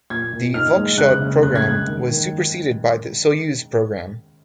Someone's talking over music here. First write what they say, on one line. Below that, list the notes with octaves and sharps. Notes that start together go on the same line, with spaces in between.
The Voskhod programme was superseded by the Soyuz programme.
A#2 G#6
A#2
D#4 F6
G#3
C#3 F#6
C#3
C#4 F#6
G#6
G#3 F#6
D#3
D#3